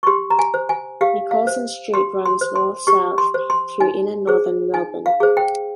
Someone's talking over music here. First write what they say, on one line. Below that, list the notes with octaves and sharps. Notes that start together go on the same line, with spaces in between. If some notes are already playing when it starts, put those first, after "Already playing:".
Nicholson Street runs north-south through inner northern Melbourne.
C#6
G4 C6
A#5
G#5
C5
G#5
G4 F5
F5
C5
G4 C6
C6
C5
C6
G4 C#6
C6
C5
C6
D#4 G#5
G#4 C5
D#4 G#5
F5
G#4 C5
G5